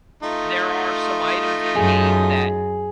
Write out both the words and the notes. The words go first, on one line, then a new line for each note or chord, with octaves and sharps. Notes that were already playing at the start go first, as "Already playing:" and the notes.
there are some items in the game that
A3 D#4 F4
F#2 G#4